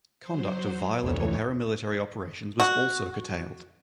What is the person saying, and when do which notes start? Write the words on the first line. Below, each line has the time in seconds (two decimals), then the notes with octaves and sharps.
Conduct of violent or para-military operations was also curtailed.
0.21 F#3 C5
1.01 F1 D2 E3 C#5
2.60 F#4